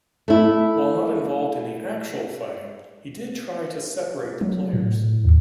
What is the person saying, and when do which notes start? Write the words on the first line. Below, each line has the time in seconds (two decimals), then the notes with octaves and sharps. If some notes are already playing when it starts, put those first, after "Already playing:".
While not involved in the actual fighting, he did try to separate the players.
0.28 A3 E4
4.41 F#3
4.73 A2
5.25 D#2